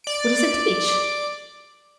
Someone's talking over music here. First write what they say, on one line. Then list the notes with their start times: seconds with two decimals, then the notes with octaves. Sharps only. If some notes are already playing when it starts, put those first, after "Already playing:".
What does it teach?
0.04 D5 D7